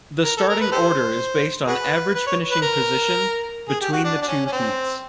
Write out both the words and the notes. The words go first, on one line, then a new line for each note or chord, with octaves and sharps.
The starting order is based on average finishing position between the two heats.
A#4
A4
A#4
B4
G4 A4 C5
F#4 G#4 B4
B4
C#5
B4
A#4
G#4
G4
F#4
D4
D4
C#4
C#4
C4